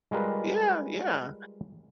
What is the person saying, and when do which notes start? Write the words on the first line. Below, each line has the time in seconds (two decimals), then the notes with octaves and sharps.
Yeah, yeah.
0.11 G3 G#3 F4 A#4 B4